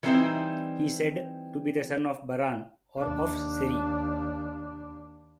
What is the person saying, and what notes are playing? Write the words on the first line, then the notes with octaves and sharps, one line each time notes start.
He is said to be the son of Baran, or of Ceri.
E3 F#3 G3 C4 D#4 E4
D#2 D4